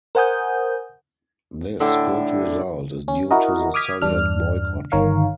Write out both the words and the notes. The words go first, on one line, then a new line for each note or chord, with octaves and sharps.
This good result is due to the Soviet boycott.
A#4 C5 F#5 G#5 D#6 G6
A2 D3 E5 G5
C#4
E4 F#4 A#4 D#5
D6 D#6 F6 G#6 B6
E2 G2 D4 F6
G1 D#3 A#4 C#5 F5